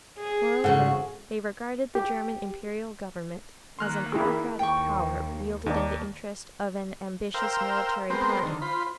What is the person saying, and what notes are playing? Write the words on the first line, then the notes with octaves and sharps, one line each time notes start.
Moreover, they regarded the German imperial government as an autocratic power wielded in the interest of an ambitious military party.
G#4
G#2 C#3 F#4 A4 F#5
G4
D#3 A#3 C6 F6 F#6
E4 G4 G#4
D#2 G5 C#6
D#2 D#4 D5
A#4 C5 F5 G5 E6
G#3 B3 C4 G4 A#4 C5
D3 D#3
F4 C5 B5